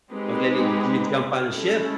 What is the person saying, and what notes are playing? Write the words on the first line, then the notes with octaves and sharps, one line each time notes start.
Well, then you you jump on a ship.
G#3 C4 D#4 G4 B4
G#3 C#4 E4 A4